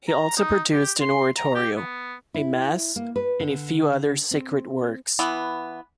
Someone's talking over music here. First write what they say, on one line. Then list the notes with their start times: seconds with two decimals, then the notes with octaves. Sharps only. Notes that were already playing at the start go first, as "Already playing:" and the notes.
He also produced an oratorio, a mass, and a few other sacred works.
0.08 A#5
0.37 D#4
0.73 G4
1.01 C6
1.37 A#5
1.55 G4
1.77 B3
2.34 E4
2.96 A#3
3.16 B4
3.40 D3
4.31 C4
5.19 E3 B3